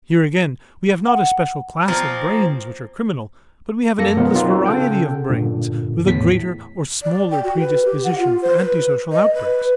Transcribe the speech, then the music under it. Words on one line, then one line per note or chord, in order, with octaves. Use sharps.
Here again we have not a special class of brains which are criminal; but we have an endless variety of brains with a greater or smaller predisposition for antisocial outbreaks.
F#5
F3 A#3 C4
F#2 A#3 A4 A#6 C#7
B2 F3 F#3 B3 F4 A#4
F#3 A#3 C4 D#4 F4 G#4
C#3 A4 F#5 G5
G2 A#2 D3
E2 A2 B6
D5
G5
F#4
B4
G4
F#5
F4
C5
B4
D#5
B4